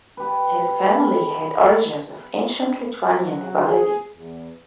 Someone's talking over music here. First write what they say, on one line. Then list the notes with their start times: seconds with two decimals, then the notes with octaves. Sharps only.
His family had origins of ancient Lithuanian nobility.
0.17 G4 B4
3.10 F#3
3.65 G#4
4.16 E2